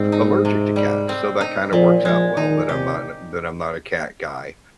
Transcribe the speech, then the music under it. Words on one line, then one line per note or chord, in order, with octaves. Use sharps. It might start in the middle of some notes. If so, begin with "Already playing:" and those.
allergic to cats, so that kinda works out well, that I'm not th that I'm not a cat guy,
Already playing: G#2 C3 G3 C4
D#4
C3
G3
C4
D#4
A#2 F3
F3 G#3
D#3 D#4
C3 G4